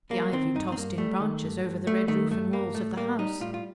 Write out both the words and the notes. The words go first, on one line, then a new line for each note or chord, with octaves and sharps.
The ivy tossed in branches over the red roof and walls of the house.
G3 A#3
D#3 C4
G2 D#4
C4
G2 A#3
G3 A3
D#3
G2
G2
G3 A3
D#3 A3
G2 A3
G2 A#3
A2 A3
G3 A#3
G3 D#4
A2 F4
F4